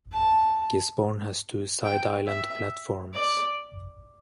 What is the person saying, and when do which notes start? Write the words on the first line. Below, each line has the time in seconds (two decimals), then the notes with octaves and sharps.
Gisborne has two side island platforms.
0.12 A5
1.84 G5
2.27 E5
3.14 D5